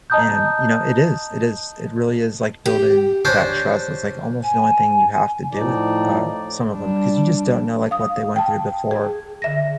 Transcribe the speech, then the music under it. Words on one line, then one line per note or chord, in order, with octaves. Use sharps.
And, you know, it is it is, it really is, like, building that trust, it's like almost the only thing you have to do with, uh, some of 'em, 'cause you just don't know, like, what they went through before,
D#5 A5 A#5 D#6 F#6 G6
G4
C#4 D4 C5
G#5
A2 F3 D#4 D5
G3 D4
F5 D#6
G5 A5
G#4
D3 E5 A#6